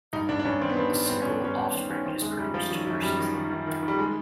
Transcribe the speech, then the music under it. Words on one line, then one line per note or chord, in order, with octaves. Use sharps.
A single offspring is produced per season.
G2 D#4
G2 D4
D4
G2 C#4
D#3 C4
B3
D#3 C4
G2
C4
G2 B3
C#4
G2
G2 C#4
G2 C#4
D#3 C4
D#3 C#4
D#3 C4
F#2 G#3
F#2 G3
F#2 F3
D#3 F#3
F#2 F#3
F#2 G3
D#3
D#3
D#3
D#3
D#3
G3
G#3